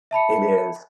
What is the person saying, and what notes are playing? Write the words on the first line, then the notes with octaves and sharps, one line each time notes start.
It is.
E5 A5 B5 C#7